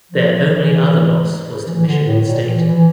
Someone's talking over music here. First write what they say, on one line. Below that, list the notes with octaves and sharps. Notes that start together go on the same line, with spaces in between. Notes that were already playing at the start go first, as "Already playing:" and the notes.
Their only other loss was to Michigan State.
F3
F3
E3
E3
E3
D3
A2
A#2
E3
E3